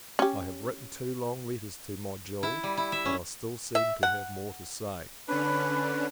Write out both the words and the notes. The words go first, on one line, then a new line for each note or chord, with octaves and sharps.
I have written two long letters to my jewel, but I still seem to have more to say.
C#4 G4
E4
G3
E4
E5
C#4
E5
F#5
D3 C#4 D4 B4 B5